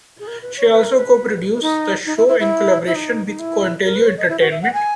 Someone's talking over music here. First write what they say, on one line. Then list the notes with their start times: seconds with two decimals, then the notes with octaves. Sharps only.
She also co-produced the show in collaboration with Contiloe Entertainment.
0.19 G#4
0.27 A#4
0.42 B4
0.57 C#5
0.72 B4
0.84 A#4
0.96 B4
1.61 D#4
2.06 D#4
2.17 E4
2.28 E4
2.39 E4
2.86 E4
2.95 D#4
3.26 D#4
3.39 E4
3.84 A#4
3.96 B4
4.06 C#5
4.18 D#5
4.29 E4
4.40 F#4
4.51 E5
4.62 F#5
4.73 G#5